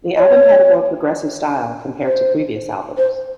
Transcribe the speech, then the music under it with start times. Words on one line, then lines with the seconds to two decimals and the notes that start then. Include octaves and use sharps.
The album had a more progressive style compared to previous albums.
0.16 D#5
0.20 C#5
2.04 C5
2.98 C5